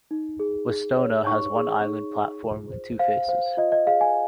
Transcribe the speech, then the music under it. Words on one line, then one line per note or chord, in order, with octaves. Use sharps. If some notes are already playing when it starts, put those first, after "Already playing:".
Westona has one island platform with two faces.
D#4
G#4
G#4
C#5
D#4 C#6
G#4
D#4
G#4
F4
C5
C5 F5
C5 F5
F4 D#5
D#5
G#4 F5
G#5